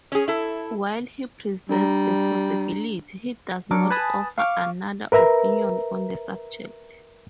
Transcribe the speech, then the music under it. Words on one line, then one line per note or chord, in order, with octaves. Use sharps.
While he presents the possibility, he does not offer another opinion on the subject.
C#4 G#4
E4 A4
G3 D4 A#5
F#3 D4 A#4 D6 C#7
B4 G#5 A5 B5 D#6
F5 C#6 D6 F6
A#4 B4 E5 A#5